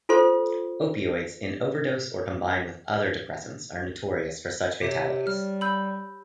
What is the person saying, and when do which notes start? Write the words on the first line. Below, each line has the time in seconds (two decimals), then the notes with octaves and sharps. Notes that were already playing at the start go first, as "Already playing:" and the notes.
Opioids, in overdose or combined with other depressants, are notorious for such fatalities.
0.09 F4 A4 C5 C6
4.82 C3 G4 C#5 B6
5.27 G3 F6
5.61 B5 E6 G6